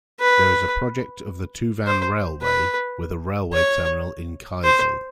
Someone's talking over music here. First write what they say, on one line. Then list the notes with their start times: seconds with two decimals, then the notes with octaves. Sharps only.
There is a project of the Tuvan Railway with a railway terminal in Kyzyl.
0.21 B4
1.87 C5
2.42 B4
3.54 C#5
4.64 C5